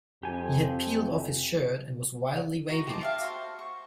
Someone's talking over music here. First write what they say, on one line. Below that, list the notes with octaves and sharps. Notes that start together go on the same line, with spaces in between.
He had peeled off his shirt and was wildly waving it.
F2 G4 G#5
D#4 F#4
G4 C5 A5 D6
A4 E5 F5
F#4 C5
C#6